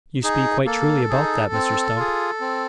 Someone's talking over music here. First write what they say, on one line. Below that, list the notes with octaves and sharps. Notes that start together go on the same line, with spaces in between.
You speak quite truly about that, Mr Stump.
D#4 G#4
A#3 A4
D#4 G#4
C4
F4 G#4
C4